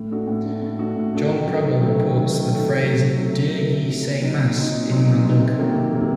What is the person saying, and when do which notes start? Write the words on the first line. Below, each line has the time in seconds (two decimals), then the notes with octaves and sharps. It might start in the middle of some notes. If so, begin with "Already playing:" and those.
John Prebble reports the phrase Daur ye say Mass in my lug?
Already playing: A2
0.10 A3 D4 F#4
0.27 A2
0.45 A3 D4 F#4
0.62 A2
0.78 A3 D4 F#4
0.96 A2
1.13 A3 D4 F#4
1.30 D#3
1.47 F#3 A3
1.64 D#3
1.81 F#3 A3
1.98 D#3
2.15 F#3 A3
2.33 D#3
2.49 F#3 A3
2.67 C3
2.84 F#3 A3
3.01 C3
3.18 F#3 A3
3.35 C3
3.52 F#3 A3
3.70 C3
3.87 F#3 A3
4.04 A#2
4.22 F#3 C4 D#4
4.39 A#2
4.56 F#3 C4 D#4
4.72 A#2
4.90 F#3 C4 D#4
5.07 A#2
5.24 F#3 C4 D#4
5.42 C3
5.58 D#3 F#3 A#3
5.75 C3
5.92 D#3 F#3 A#3